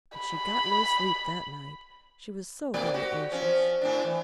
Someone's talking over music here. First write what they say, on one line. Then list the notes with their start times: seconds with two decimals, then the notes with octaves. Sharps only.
But she got no sleep that night, she was so very anxious.
0.18 B5
2.74 B2 A3 D5
2.94 F#4 G4
3.32 F3 C4 C#4
3.82 A2 C4 D4
4.04 E3